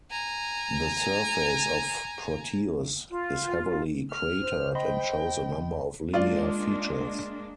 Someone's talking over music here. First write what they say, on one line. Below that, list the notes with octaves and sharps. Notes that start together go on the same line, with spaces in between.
The surface of Proteus is heavily cratered and shows a number of linear features.
G#5 A#5
F4
F6
C5
D#5 G5 B5 C6
G#3 A#3 D4 F4 D5